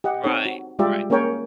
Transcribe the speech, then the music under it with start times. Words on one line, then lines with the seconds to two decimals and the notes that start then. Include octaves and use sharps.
Right. Right.
0.04 G4 D#5 F#5
0.24 C4 D#4 A4 C#5
0.46 F#4
0.79 G3 G#3 F4 G4 D5 E5
1.10 A#3 C#4 G#4 A#4 C#5 G5